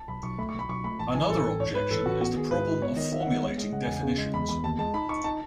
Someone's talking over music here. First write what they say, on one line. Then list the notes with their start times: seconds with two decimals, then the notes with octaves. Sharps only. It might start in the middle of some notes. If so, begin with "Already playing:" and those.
Another objection is the problem of formulating definitions.
Already playing: A5
0.08 B1 B5
0.23 B1 C#6
0.38 A3 B5
0.49 C#6
0.54 B1 B5
0.69 B1 C#6
0.84 A3 B5
0.99 A1 A5
1.14 E3 G#5
1.29 A1 A4
1.45 A1
1.60 G#2 C#5
1.75 G#2 B4
1.91 A1 A4
2.06 A1 F#4
2.21 B3 F#4
2.36 D#3 G#4
2.51 G#2 B4
2.67 G#3
2.82 B3 C#5
2.97 D#3 D#5
3.12 D#3 E5
3.20 F#5
3.27 B3 E5
3.42 G#3 C#5
3.58 G#3 D#5
3.72 C#3 F#5
3.83 G#5
3.88 E2
3.93 G#5
4.03 C#3
4.18 G#3
4.34 E2 B5
4.49 E2 B5
4.64 D#2 A5
4.79 G#3 A5
4.94 D#4 B5
5.09 D#4 C#6
5.24 D#4 A5